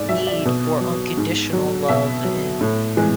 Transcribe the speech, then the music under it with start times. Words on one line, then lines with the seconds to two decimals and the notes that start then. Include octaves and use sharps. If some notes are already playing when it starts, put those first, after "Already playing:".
need for unconditional love in
Already playing: G#2 D5
0.09 F#3 E5
0.27 D5
0.45 B2
0.81 F#3
1.17 G#2
1.53 F#3
1.89 B2 E5
2.25 F#3
2.61 A2
2.97 E3 G#3